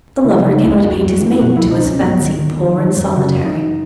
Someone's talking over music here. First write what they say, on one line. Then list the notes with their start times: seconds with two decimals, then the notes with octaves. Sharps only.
The lover cannot paint his maiden to his fancy poor and solitary.
0.24 C#3 E4
0.44 C#3 D#4
0.64 C#2 E4
0.83 F#2 F#4
1.02 F#2
1.12 F#4
1.21 E3
1.32 E4
1.41 B2 F#4
1.56 C#2 E4
1.70 D#4
1.81 C#2 C#4
1.99 G#2 B3
2.19 D#3
2.39 D#3
2.58 D#3
2.78 D#3
2.97 F#2
3.16 C#3 F#4
3.35 F#2
3.45 D#4
3.56 E3